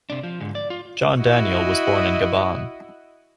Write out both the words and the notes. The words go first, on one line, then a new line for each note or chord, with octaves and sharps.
John Daniel was born in Gabon.
C3 D4
F3
G#2 D3
D5
F4
E4 F#4 D#5